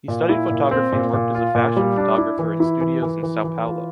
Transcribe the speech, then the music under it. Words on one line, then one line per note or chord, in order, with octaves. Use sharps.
He studied photography and worked as a fashion photographer in studios in São Paulo.
A#2
E4
A#2
C4
A#2
A#2
F4
A#2
G3
D4
E4
E3
E4
E3
E3
E3
E3
F4